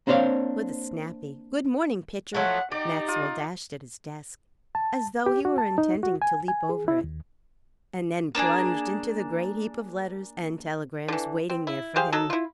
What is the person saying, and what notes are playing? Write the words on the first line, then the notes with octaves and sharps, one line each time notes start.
With a snappy "Good-morning, Pitcher," Maxwell dashed at his desk as though he were intending to leap over it, and then plunged into the great heap of letters and telegrams waiting there for him.
A#3 C4 D4 C5 C#5 F5
F3 F#3 A3 F#5
D#4 G4 D5
F4
A5
G4
F#4
A5
D#4
F#4
G#5
G#5
G#4
E4
D#2
A#3 D4 D#4 G#4
D3 E3
C4
E4
G4 G#4 C5 F5
F#3 D#4 A4
E4 F4